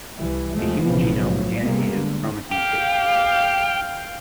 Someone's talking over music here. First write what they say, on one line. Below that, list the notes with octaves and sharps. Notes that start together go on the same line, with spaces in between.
The human genome was annotated with chromatin states.
C2 E3 G3
D#2 C3 F3 G#3 A3
B1 A#2 C#3 E3 F3 B3
A2 F3 F#3
C3 G3 G#3 A#3 B3
D3
G4 F5 G5